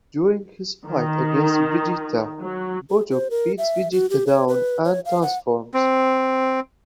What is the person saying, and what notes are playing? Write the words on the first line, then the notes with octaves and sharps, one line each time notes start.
During his fight against Vegeta, Bojack beats Vegeta down and transforms.
D#3
F#3
G#4
C5
A#4
E5
F#4
G4
C#5
B4
C#5
F5
F#5
C4